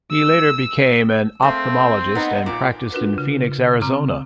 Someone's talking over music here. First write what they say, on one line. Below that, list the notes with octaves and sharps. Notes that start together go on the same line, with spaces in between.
He later became an ophthalmologist, and practiced in Phoenix, Arizona.
E6
A3 A#3 C4
B3 D#4
A#2 D6
D4 F4 F#4 A#4 B4
C#3
C#3 C4 A#5 D6